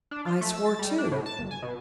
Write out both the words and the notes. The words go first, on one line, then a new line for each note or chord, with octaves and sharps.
I swore too.
D4
F4
A3
E6
A6
G3
D4
A2
A5
G1
G#5
B2